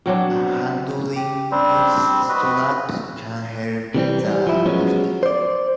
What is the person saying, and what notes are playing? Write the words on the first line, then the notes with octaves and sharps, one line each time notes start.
A handling strap can help the lifting.
B2 F#3 C4 D4
G4
G3 C4 D4 C5
F#4 B4 D#5
C3 E3 G3 C4
G3
F3 E4
F3 F#3 G#3 B3 C#4
C5 D5